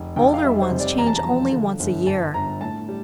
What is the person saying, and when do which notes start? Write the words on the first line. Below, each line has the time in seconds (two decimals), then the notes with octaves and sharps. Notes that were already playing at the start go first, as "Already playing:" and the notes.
Older ones change only once a year.
Already playing: F1
0.16 F1 G5
0.34 F5
0.44 G3 E5
0.62 C5
0.70 C3
0.80 D5
0.98 E1 A#5
1.07 A5
1.16 A#5
1.25 F3
1.52 D3
1.80 G1
2.07 G1 A5
2.34 G1 A#5
2.61 A2 A5
2.89 G3